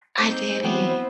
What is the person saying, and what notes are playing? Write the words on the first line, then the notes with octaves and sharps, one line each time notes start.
I didn't.
C4 D#4 C5 D6 G6
E3 F#3 B3 C4 E4 C5 G5